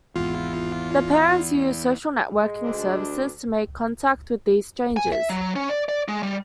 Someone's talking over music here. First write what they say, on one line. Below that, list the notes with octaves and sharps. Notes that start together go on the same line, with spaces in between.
The parents use social networking services to make contact with these strangers.
G#1 E2 F4
G#3
D2 D4
G#5
E5
F#3
C#4
D5
D5
G#3
G3